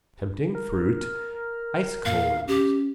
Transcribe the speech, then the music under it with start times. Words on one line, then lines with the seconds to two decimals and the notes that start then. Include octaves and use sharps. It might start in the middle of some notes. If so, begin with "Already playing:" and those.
Tempting fruit. Ice cones.
0.55 A#4
2.05 A#2 F5
2.48 C#4 G4